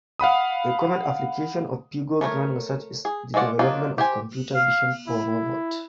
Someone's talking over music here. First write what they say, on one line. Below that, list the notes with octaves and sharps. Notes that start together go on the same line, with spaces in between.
A current application of figure-ground research is the development of computer vision for robots.
F5 F#5 B5 D#6
A3 A#4 B4 C#5
G#4
G#3 A3 F4 D5 F#5
F#3 A#3 D4 D#4 F4
G4 C5 G#5
F5
E4